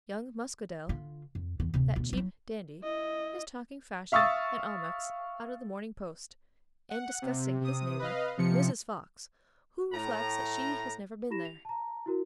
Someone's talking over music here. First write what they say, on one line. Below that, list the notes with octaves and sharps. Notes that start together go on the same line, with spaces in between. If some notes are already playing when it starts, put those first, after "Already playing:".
Young Muscadel, that cheap dandy, is talking Fashion and Almack's out of the MORNING POST, and disgusting his neighbour, Mrs. Fox, who reflects that she has never been there.
D3 F4
F2
E2
D1 C3
D2 B2
F#3 E4
E4 D#5
E5 F5 C#6 D#6 E6 A6
F#5
C3
C3 D#6
B4 D#5 F5
C3 F3 C#7
A2 A#5
E4 G4 B5 A#6 E7
F7
A5 A#5
E4 F#4 A#4